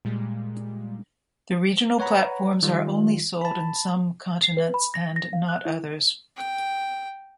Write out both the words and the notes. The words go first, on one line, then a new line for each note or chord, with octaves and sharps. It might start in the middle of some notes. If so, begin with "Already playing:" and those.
The regional platforms are only sold in some continents and not others.
A#2 G3 G#3
B4 C#5 F#5 A#5 B5
D#3 G3 F4
A5 B5
C7
B4
B5
A#6
A#6
F5
F#6
E4
G5